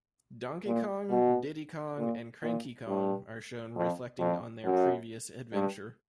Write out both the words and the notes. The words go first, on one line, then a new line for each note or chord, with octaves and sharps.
Donkey Kong, Diddy Kong, and Cranky Kong are shown reflecting on their previous adventure.
A#2
B2
A#2
A#2
G2
F2
F2
F#2
G2